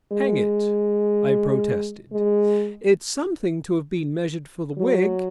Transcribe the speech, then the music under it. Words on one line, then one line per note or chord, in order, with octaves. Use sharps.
"Hang it," I protested, "it's something to have been measured for the wig."
G#3
G#3
F#3